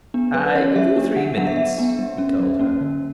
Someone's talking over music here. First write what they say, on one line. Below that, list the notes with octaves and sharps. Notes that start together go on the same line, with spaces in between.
"I give you three minutes," he told her.
B3 D4
F#3 B4
C#4 C#5
F#3 E5
A#3 D4
D3 F#5
F#3 B3 D4 F#5
E5
F#3 E5
B3 D4
G3
C#4
F#3
A#3 C#4
D3